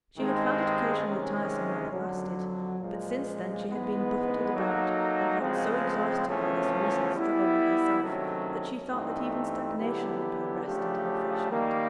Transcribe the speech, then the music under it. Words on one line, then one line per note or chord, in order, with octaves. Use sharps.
She had found it occasionally tiresome while it lasted; but since then she had been buffeted about, and felt so exhausted by this recent struggle with herself, that she thought that even stagnation would be a rest and a refreshment.
G2 D#3 G#3 C4 D#4
C3 D#3 G#3 C#4
F2 D3 F#3
A#2 F3 G#3
G#2 E3 G#3 B3
F#3 A#3 D#4 F#4 A4
C#3 F3 G#3 C4
E2 C#3 F3 A3 C#4
G3 B3 E4
C3 D#3 F#3 A3 C#4
G2 E3 A3 C4 D#4
D3 F#3 B3 E4 G4
C#3 F3 A3 D4 G4
D#3 G3 A#3